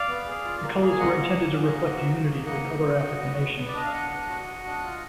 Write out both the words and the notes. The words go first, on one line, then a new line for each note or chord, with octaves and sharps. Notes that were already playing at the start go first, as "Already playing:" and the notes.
The colors were intended to reflect a unity with other African nations.
Already playing: D5 F5
B3
G#4
F4
A#3
G#4
G#5
A#3 D#5 F#5
A#3
A#3
G#4
A#3
F#4
D#4
A#3
A#3 D#5 F#5
D#4
D#4
F#4
B3
B3
B3
D5
D4 D#5
F5
D4 D#5 F#5
D4
F#4
F#4
D4
F4